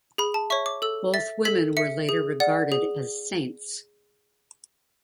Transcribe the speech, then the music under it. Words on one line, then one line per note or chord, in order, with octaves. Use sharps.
Both women were later regarded as saints.
G#4 B5
A5
C#5 E5 C#6
D6
A4 E6
E5 A6
A4 B6
E5 C#7
G#4
D5 F#5
G#4